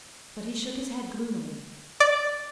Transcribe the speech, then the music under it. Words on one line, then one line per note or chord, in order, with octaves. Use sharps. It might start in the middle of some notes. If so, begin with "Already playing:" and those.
But he shook his head gloomily.
D5